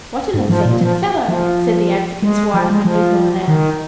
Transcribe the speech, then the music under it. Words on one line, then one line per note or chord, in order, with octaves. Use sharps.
"What an affected fellow!" said the advocate's wife, when he had gone out.
G#2
F3
A#2
F3
F3
G#3
F3
G#3
F3
D#3